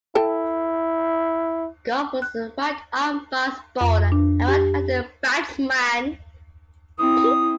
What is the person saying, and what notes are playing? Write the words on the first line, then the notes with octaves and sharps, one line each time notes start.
Gough was a right arm fast bowler and right-handed batsman.
E4 A4 G5 A5
F#6
F2
D4
G4
C4 E4 D#6